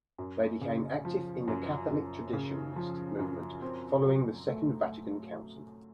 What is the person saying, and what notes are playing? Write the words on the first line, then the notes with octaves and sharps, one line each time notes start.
They became active in the Catholic Traditionalist Movement following the Second Vatican Council.
F#2
C#3
F3
F#2
F#2
C#3
F3
F#2
C4
F#3
A3